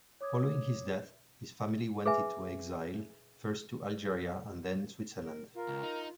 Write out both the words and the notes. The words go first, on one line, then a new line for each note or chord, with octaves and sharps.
Following his death, his family went into exile, first to Algeria and then Switzerland.
C#5 D6 D#6 G#6
G#4 B4 E5 G#5
A#4
F4 A#4
C#2
D#4